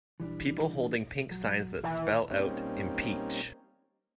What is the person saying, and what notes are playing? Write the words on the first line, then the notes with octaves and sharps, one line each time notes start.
People holding pink signs that spell out, Impeach .
E3 G3 D4
F#3
D#2 E3
G3 A#3 C4 C#4 D#4